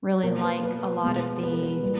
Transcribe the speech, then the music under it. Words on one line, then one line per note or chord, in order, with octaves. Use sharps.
really like a lot of the,
B2 A#3 A#4
B4
B4
B2 G#3 B3
B4
A#4
B4
A#2 G3 B3